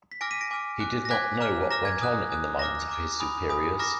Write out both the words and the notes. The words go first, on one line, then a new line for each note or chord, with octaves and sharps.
He did not know what went on in the minds of his superiors.
B6
G#5 D6 F6 A#6 D7
B6 D#7
A#6 D7
G#5 D6 F6
G#5 D6 F#6
A#6
G#5 D6 F#6 G#6 B6
A#5 D6 F6
A#5 D6 F6 A#6
G#6
G#5 D#6 F#6
G#5 D#6 F#6
A#5 D6 F6 A#6
A#5 D6 F6
G#5 B5 D#6
G#5 B5 D#6
A#5 D6 F6 A#6